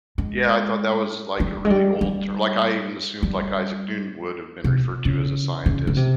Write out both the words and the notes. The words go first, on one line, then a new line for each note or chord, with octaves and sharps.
Yeah, I thought that was, like, a really old ter like, I even assumed, like, Isaac Newton would have been referred to as a scientist.
G#3
G3
G#3
G3
G3
G3
C3
C#3
C#3
C#3
C3